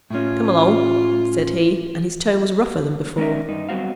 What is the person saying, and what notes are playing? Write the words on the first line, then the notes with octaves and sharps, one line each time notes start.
'Come along,' said he, and his tone was rougher than before.
A2 C#4 F4
G#3 C#4 D#4 D5 E5
G2 D#4
F#3 G3 B3 C4 F#4 F5